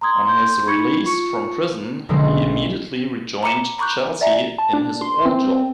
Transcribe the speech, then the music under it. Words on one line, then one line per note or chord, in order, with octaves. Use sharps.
On his release from prison, he immediately rejoined Chelsea in his old job.
A#5 C6 D#6 G#6
C6 G6
D#4 B5 C#6 G#6 C#7
F4 C#6 C#7
B1 D3 F#3 G#3 C#4 C6
A#5 B5 D6 C#7 D#7 E7
A#5 B5 C#6 D6 F#6 G6
D5 E5 G#5 A#5
A5
D4
C6
C4